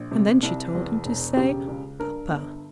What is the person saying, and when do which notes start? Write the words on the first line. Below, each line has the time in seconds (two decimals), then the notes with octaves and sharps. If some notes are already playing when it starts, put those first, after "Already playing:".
And then she told him to say papa.
Already playing: A#1
0.11 C3
0.43 C2
0.75 E2
1.05 E1
1.37 C#3 G4
1.68 C#2
1.99 G2 A#4
2.31 G1